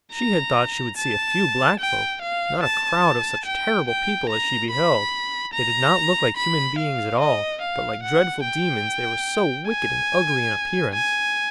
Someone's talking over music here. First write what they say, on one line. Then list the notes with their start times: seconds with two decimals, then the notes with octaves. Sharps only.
She had thought she would see a few Black folk, not a crowd of such terrible people as she beheld. They did not look like human beings at all, but like dreadful demons, they were so wicked and ugly in appearance.
0.14 A#5
0.97 A5
1.80 G5
2.22 F5
2.63 A5
3.46 G5
3.88 G5
4.29 A#5
4.71 B5
5.53 A#5
6.37 B5
6.79 F5
7.19 D#5
7.61 F5
8.03 F#5
8.45 G5
9.69 G#5
10.93 G#5